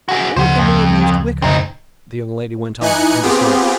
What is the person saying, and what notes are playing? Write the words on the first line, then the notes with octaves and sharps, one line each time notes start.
"Or they may have used wicker," the young lady went on, undismayed.
F#4 G#4
D2 C#3 F3 C5 F#5
F2
B1 F2 C#3 C4 D#4
E3 D#4 G#5 F#6 C#7
B3 C4 F4 G4 G#4